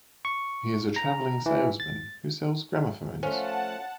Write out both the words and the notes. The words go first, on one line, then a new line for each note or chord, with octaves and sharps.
He is a travelling salesman who sells gramophones.
C#6
A#5
E3
A6
F3 A3 C#4 F4 F#5 A5